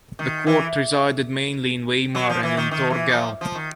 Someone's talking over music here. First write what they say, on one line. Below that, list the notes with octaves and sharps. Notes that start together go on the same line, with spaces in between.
The court resided mainly in Weimar and in Torgau.
D#3
E3
F#3
F3
E3
D#3
D#3
E3
F3
F3
D#3